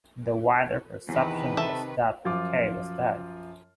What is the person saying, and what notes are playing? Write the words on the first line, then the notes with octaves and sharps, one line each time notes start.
The wider perception was that Mackay was dead.
E2 C3 D#3 B4
A4 E5
F#2 F3 F4 D6